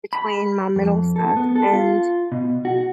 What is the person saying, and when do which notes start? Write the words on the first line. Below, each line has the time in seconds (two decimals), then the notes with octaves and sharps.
between my mental stuff and
0.13 B5
0.76 F2
1.16 A4
1.37 B3
1.55 A4
1.73 F4
2.32 B2
2.65 F#4